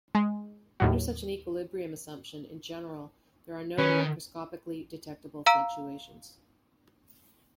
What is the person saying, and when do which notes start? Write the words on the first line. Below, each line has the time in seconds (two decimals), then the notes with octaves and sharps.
Under such an equilibrium assumption, in general, there are no macroscopically detectable fluctuations.
0.15 G#3
0.80 D#2 A2 F#3
3.78 D#3 C#4 B4
5.46 F5 A#5 E6 D7